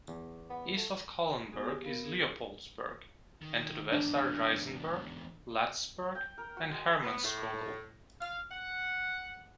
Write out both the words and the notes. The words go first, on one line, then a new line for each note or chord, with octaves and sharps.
East of Kahlenberg is Leopoldsberg; and to the west are Reisenberg, Latisberg, and Hermannskogel.
E2
B3
A3
B3 F#4 G#4 G#5 D#6
G4
B3 A#4 F5
E4 G#4
C#4
D#3
E2 G#2 D4
G5
A#4
F#4
G#3
B3
A2
F5
F#5